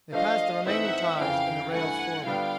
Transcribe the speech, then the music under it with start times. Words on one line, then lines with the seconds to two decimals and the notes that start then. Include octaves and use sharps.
They passed the remaining ties and the rails forward.
0.13 F3 A3 D4 F4 D#5 F5
0.66 G#2 E3 A3 C4 D#4 E5 F#5
1.19 F2 C#3 E3 F5 G5
1.73 G2 E3 A3 F#5 G#5
2.26 D3 G3 B3 D4 F4 F5 G5